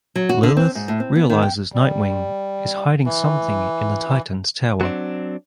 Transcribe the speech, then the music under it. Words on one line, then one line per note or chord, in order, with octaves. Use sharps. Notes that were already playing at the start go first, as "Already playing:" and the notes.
Lilith realizes Nightwing is hiding something in the Titans tower.
F#3
F#4
D3
C4
G#2
A2
C4
B3
D#3
G5
G3
E3
F#3 C4 D4